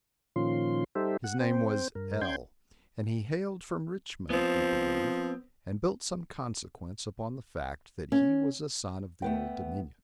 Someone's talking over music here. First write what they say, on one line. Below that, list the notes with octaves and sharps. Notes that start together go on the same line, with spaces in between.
His name was L--, and he hailed from Richmond, we believe, and built some consequence upon the fact that he was a son of the Old Dominion.
A#2 D#3 F3 C#4 F4 C6
G3 D#4 G4 A4 C5 E5
F#5
C4 C5 G5
G2 A#4
C#4 G5 C6 G6 G#6
F3 B3 C4
C#4
A3 B3 G5